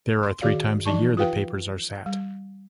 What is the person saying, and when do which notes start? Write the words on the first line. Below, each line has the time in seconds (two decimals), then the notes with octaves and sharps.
There are three times a year the papers are sat.
0.23 C6
0.41 D#3 F#4 G#4 D5 F5
0.85 E3 F3 D#4 D5 A5 C#6
1.17 F4 G4 B4 F5 G5
2.06 G3